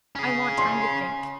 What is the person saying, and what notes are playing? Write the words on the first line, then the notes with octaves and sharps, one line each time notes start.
"I want time to think."
C#4 G#4
C6 C7